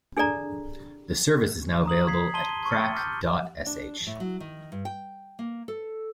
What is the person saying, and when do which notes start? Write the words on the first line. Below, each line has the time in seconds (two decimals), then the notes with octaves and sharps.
The service is now available at crack dot sh.
0.17 D4 G#4 A4 D5 A#5
1.85 A#5 D#6 F#7
2.07 G#6 B6 C7
2.34 A5 C6 D#7 G7
2.68 C6 C#6 E6 F6 A6 C#7
2.94 D6 F6 G6
3.66 D4
4.07 A2
4.20 F#3
4.40 D#3
4.72 G2
4.85 G5
5.39 A#3
5.68 A4